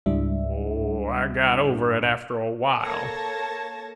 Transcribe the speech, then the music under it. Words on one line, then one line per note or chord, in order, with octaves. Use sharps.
Oh, I got over it after a while.
C#2 G#2 G3 D4 E4 E5
A#3 A4 C#5 A5 G#6 A#6